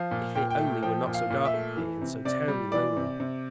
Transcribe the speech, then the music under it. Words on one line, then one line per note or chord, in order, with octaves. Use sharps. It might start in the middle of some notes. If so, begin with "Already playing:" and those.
If it only were not so dark here, and so terribly lonely!
Already playing: F3 F5
A#2
A#2 G5
G5
A3
F3 G5
A#2
F5
A#2
E5
A3
E3
C3
C3 D5
G3
E3 D5
C3
C3